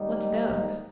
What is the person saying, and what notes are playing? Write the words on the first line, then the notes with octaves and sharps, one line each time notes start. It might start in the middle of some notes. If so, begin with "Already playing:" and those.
"What's those?"
Already playing: G#2 D#3 G3 A#3 D#4